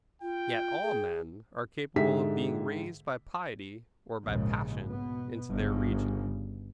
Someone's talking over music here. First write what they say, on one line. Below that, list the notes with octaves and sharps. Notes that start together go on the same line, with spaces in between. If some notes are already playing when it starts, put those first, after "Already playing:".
Yet all men are capable of being raised by piety or by passion, into their region.
F4 G5
G#4
G#2 D3 G4 G#4 E5 B6
A#1 D#2 G#2 C#3
B2 B3
G1 G2 C#3